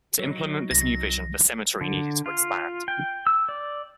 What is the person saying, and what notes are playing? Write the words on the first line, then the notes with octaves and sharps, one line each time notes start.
To implement this new vision, the cemetery needed to expand.
F#3 D#4 C#5
C2 A#6
D3
F4
G5
E6
D5